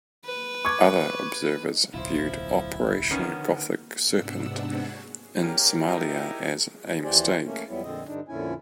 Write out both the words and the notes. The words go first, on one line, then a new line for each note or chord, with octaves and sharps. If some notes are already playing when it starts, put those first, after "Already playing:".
Other observers viewed Operation Gothic Serpent in Somalia as a mistake.
B4
C#6 D6 G#6
D1 B1 E4 F4 C5
D3 D#3 B3 C#4 A#4
G#2 C3 B3 D4 F#5 E6
D#3 A#3 C#4 G4 A#4
D#4 E4
D#2 E3 G4 C5 D5 G#5
A3 A#3 C#4
F2 F#3 G3 B3 E4
F2 A#2 D3 C4 D#5
G2 D3 D4 D#4
F2 A#2 D3 C#4 E4 G#5